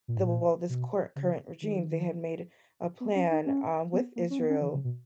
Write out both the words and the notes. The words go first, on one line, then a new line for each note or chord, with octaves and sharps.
the well, this cor current regime, they had made a plan, um, with Israel,
A#2
G#2
A#2
B2
C#3
D#3
B3
C#4
D#4
C#4
B3
A#3
C#4
B3
C#4
E3
C#3
B2